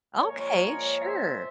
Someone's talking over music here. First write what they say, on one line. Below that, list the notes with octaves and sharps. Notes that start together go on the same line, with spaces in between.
Okay, sure.
A#2 F3 G#3 A#4 C#5
C5 E5